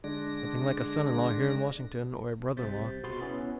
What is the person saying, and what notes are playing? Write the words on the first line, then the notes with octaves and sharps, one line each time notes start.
Nothing like a son-in-law here in Washington or a brother-in-law. . . .
D3 G#3 D4 A#6
C2 C3 C5 G6 A6 B6
B2 F#4 G#4 B5 C6 A6
B3 C#4 E4